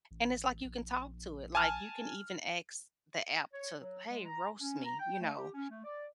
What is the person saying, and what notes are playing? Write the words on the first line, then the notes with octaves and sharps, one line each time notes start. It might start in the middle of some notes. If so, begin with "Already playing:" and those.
And it's like you can talk to it, like you can even ask the app to, "Hey, roast me," you know?
A1
A#1
G#5 A5 F6
C#5
F#3
G#3
A#5
C#4
A#5
G5
A3
G4
C#4
A3
D5